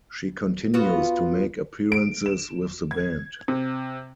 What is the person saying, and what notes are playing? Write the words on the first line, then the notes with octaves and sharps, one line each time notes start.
She continues to make appearances with the band.
B3 F4 F#4
D7
E7
G#6
C3